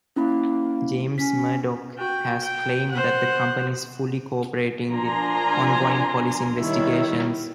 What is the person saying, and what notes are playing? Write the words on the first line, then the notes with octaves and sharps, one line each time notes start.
James Murdoch has claimed that the company is fully co-operating with ongoing police investigations.
A#3 C#4 E4 B5
C#4 B6
F#4 G5
G5
C5 F#5
F3 D4 A#4 G#5 A#5 C6
D#3 G3 E4 C#5